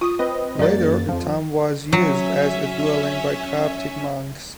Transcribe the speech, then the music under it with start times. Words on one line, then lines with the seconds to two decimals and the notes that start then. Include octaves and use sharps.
Later, the tomb was used as a dwelling by Coptic monks.
0.01 F4 D#6
0.19 C4 B4 D#5
0.59 F#2 A#3 A#4 D5 A6
0.82 G#4
1.08 F2 F3
1.93 F#3 C#4 E5